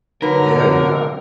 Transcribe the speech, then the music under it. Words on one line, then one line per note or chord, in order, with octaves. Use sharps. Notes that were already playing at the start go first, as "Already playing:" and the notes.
Yeah, yeah.
D3 F#3 D#4 A#4 B4